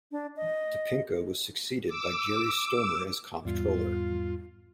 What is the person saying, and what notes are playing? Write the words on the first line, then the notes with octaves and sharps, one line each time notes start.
Topinka was succeeded by Jerry Stermer as comptroller.
D4
D#5
D6 E6
E2 G#2 G3 F4